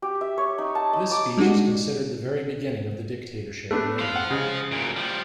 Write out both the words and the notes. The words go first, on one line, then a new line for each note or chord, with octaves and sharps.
This speech is considered the very beginning of the dictatorship in Italy.
G4
E5
C#5
D#4
A5
D#4
D6
G3 G#3 D4 D#4 F#4
A3 B3 D4
C5 F5
F#5
C#3 G#3
D2 A#2
F3 G3